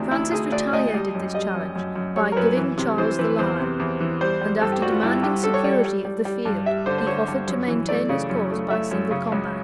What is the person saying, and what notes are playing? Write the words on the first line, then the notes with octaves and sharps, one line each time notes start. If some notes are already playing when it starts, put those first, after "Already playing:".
Francis retaliated this challenge, by giving Charles the lie; and, after demanding security of the field, he offered to maintain his cause by single combat.
Already playing: D2 C3 E3 D4 D#4
D2 E4
D2 G#4
D2 D5
D2 D#5
G3
F#2
G3 D#5
F#2
F#2
F#2
G3 C#5
A#4
F#2 B4
E3
C3
E3 C5
E3 B4
E2 C5
C3
E2
E3
G3 C5
G3
G2 A4
G4
G3 F#4
F4
G2 E4
G2 G4
G3 A4
C#5
G3 D5
G3
G3
G3
G2
G3 E5
D3 C5
C5
D3 C#5
G2
F#2
E3
A3 D5
C#3
F#2
A3
A3 E5
F#2
C#3
C#2